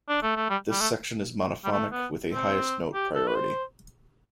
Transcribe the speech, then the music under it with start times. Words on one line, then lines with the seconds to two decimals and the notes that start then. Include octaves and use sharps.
This section is monophonic, with a highest note priority.
0.09 D4
0.22 A3
0.36 A3
0.50 G3
0.71 G3
0.80 A3
1.64 G3
1.72 A3
1.92 B3
2.33 C4
2.94 G4
3.15 A4
3.27 B4
3.35 C5